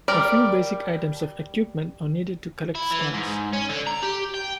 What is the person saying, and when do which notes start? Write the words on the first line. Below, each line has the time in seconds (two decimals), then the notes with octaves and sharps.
A few basic items of equipment are needed to collect stamps.
0.08 G3 A#4 D5
2.75 E4
2.91 E3
3.13 G#2
3.53 C#4
3.69 D3
3.87 A#5
4.02 G4
4.34 G5